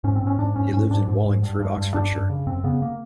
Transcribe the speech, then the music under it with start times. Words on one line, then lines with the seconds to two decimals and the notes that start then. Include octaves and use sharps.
He lived in Wallingford, Oxfordshire.
0.04 G#2 C#4
0.16 C4
0.21 G#2
0.27 C#4
0.38 G#2 D4
0.56 G#2 C#4
0.73 G#2 C#4
0.90 G#2 D4
1.08 G#2
1.25 G#2
1.43 G2
1.60 G2
1.77 G2
1.94 G2 D4
2.12 F#2
2.30 C#3
2.47 F#2 C4
2.64 C#3 B3
2.82 A#3